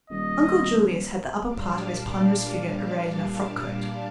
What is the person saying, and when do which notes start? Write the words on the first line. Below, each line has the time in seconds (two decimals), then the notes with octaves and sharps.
Uncle Julius had the upper part of his ponderous figure arrayed in a frock-coat.
0.10 D#1 D#5
1.43 A#2 G3 D4 F5 A5 D6